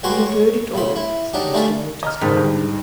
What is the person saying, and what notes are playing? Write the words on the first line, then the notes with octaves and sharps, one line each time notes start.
"We have heard it all," said Mr. Waters, calmly.
C#2 G3 F#4 G#5 C6 D6
C#5
A2 C#3 B5 C6
E4
F#3 D4 D#4 G4
G3 A3 D4 F4 G#4 E5
D#5 A#5 F6
F#1 G#2 D#3
G2